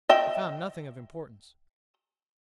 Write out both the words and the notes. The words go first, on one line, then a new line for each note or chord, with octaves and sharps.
They found nothing of importance.
D#5 E5 G5